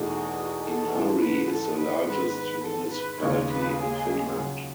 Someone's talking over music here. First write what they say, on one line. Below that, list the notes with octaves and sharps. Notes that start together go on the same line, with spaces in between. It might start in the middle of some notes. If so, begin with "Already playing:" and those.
Inari is the largest municipality in Finland.
Already playing: E2 B2 A3 D#4 G#4
F#4
A4
G#2 E3 G#3
B4
A4
B4
G#2 D#3 G#3 B3 B4
B4
A4
B4
D#2 C#3 G#3 D#4 C#5
B4
G#4
C#2 C#3 F#3